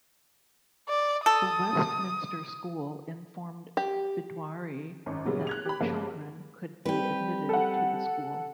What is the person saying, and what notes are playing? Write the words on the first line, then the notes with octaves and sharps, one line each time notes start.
The Westminster School informed Viduarri that her children could be admitted to the school.
D5
A4 D#6
G4
G#1 F#2
A#2 C#3 F#3 G3 B3
F#6 G#6 F7
G4 B5
G2 C#3 F3 A#3 B3
G3 C4 G4 B4
A4 F#5